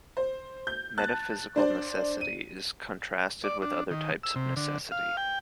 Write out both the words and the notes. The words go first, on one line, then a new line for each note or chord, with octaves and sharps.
Metaphysical necessity is contrasted with other types of necessity.
C5
G6
A5 F#6 A6
D4 C5 D5
D#7
D5
D4
D#3
E6
C3
D3
F5
G5